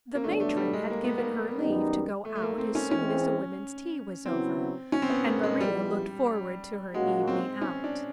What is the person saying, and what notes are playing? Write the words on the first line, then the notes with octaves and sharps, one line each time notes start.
THE matron had given her leave to go out as soon as the women's tea was over and Maria looked forward to her evening out.
A#3
G2 D3 F#3 A3 B3 D4
A3
G3
G#3
A#3
B3
A#3
F#2 D#3 G3 B3 D#4
A3
A3
A#3
C4
C#4
E3 G#3 C4 C#4
C#3 F#3 B3 C4 E4
C#4
C4
B3
A#3
G#3
F3 G3 G#3 B3 E4 G4
A#2 F#3 G#3 A#3 C#4 F#4
C4
C#4
D4